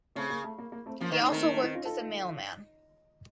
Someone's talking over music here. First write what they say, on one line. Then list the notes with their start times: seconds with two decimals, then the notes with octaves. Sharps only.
He also worked as a mailman.
0.15 C#3 A3 C4
0.30 A#3
0.44 A3
0.59 A#3
0.72 A#3
0.86 A3 C4
1.01 F3 A#3 C#4
1.11 D#3 A#3
1.22 C#3 A#3
1.32 D#3 A3 C4
1.43 A#3
1.53 A3 C4
1.63 C4 D#4
1.74 C#4 F4
1.85 F4 A4